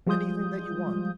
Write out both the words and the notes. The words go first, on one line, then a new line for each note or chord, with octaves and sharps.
Anything that you want.
F3 G3 G#3 F4 D#6 G6